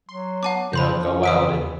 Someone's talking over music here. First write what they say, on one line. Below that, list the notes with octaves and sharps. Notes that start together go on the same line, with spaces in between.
you know, go out and
F#3 C6
B3 F#5 A5 D6
C#3 F3 B5 C6 G6
C#4
E3 D#6 B6 D7